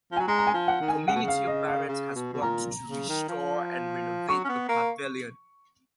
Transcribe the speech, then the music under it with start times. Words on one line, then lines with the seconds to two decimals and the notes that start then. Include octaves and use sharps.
The community of Barrett has worked to restore and renovate the Pavilion.
0.12 F3
0.17 F#3 G#5
0.28 G#3 A#5
0.38 A#5
0.47 G#5
0.54 F3
0.68 F#5
0.80 D#3
0.88 G#5
1.08 C#3 F#5
1.15 B2
1.23 C#3
1.28 F5
1.48 D#5
1.68 F5
1.88 C#3
2.15 B2
2.33 B2
2.42 A#2 A#5
2.88 C#3
3.08 D#3
3.28 F3
4.28 F#3 C#6
4.44 C#4
4.49 B3
4.68 A#3